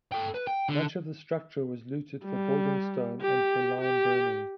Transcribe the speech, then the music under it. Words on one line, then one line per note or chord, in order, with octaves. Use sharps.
Much of the structure was looted for building stone and for lime burning.
A4 G5
B4
G5
D3
G3
G4
G4